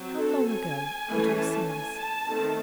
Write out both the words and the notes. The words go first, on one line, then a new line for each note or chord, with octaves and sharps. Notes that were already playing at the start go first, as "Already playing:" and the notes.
How long ago it all seems.
Already playing: F#3 C4
A4
G#5
E3 A3 C#4
A5
G#5
A5
D#3 A3 C4